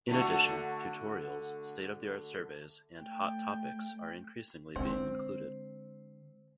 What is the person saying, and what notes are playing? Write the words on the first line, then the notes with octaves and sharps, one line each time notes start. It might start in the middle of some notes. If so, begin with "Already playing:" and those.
In addition, tutorials, state-of-the-art surveys and "hot topics" are increasingly being included.
D3 A3 F#4
A3 G5
D3 G#3 C4